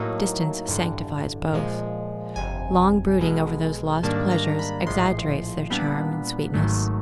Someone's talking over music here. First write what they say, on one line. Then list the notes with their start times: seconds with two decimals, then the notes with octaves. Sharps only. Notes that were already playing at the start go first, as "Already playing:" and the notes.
Distance sanctifies both. Long brooding over those lost pleasures exaggerates their charm and sweetness.
Already playing: A2 F#3 A#3 D#4 A5
0.68 A1 G2 D3
1.52 A#2 F3 G#3
2.36 G1 F2 C3 G#5
3.20 B1 B2 G#3
4.03 G#2 D#3 G3 A#3 D4 A5
4.31 A#5
4.59 B5
4.87 A#1 A2 F3 G#3 C6
5.70 A#2 G3 B3 D4 B5
6.54 G#1 G#2 D#3 F#3 A3